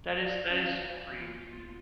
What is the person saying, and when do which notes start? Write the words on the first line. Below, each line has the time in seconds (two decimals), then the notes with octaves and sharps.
That is that is pretty, you know
0.21 D5
0.50 C#4
0.64 F5
0.83 E3
1.21 F4